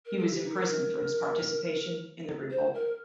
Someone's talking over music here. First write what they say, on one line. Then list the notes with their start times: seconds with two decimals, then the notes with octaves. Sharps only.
He was imprisoned for his participation in the revolt.
0.06 A#4
0.17 A4
0.30 G4
0.42 D#4
0.54 A#4
2.50 C5
2.74 A#4